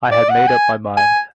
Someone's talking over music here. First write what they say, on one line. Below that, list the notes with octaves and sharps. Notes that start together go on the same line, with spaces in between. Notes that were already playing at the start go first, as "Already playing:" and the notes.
I had made up my mind.
D5
F#5
G#5
G#5